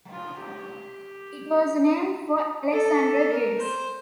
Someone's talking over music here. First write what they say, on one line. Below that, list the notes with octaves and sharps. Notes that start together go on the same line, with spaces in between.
It was named for Alexander Griggs.
F4
G4
A4
A#4
C5